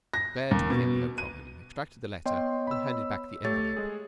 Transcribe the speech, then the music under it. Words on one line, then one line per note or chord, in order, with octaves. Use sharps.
Claire took the envelope from him, extracted the letter, and handed back the envelope.
A#6
D#2
B2
D#7
B3 C#5 D#5 G5 C6
B5 E6
A3 G4 C#5 A6
G#3 G#4